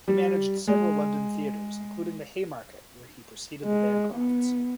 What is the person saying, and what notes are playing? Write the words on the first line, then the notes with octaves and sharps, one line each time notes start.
He managed several London theatres, including the Haymarket, where he preceded the Bancrofts.
G3
G#3
G#3
B3